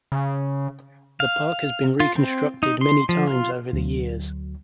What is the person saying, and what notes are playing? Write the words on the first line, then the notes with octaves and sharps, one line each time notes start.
The park has been reconstructed many times over the years.
C#3
F5
F4
C4
D#4
C6
F3
F4
D2 F#3